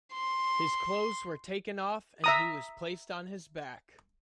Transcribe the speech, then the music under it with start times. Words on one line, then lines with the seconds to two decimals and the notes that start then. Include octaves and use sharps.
His clothes were taken off, and he was placed on his back.
0.14 C6
2.24 E5 A#5 D#6